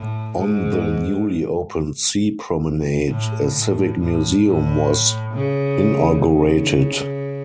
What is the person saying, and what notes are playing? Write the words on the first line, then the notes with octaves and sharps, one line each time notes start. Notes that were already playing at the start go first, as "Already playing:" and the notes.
On the newly opened sea promenade a Civic Museum was inaugurated.
Already playing: A2
G#2
A2
A2
A2
A2
C#3
C#3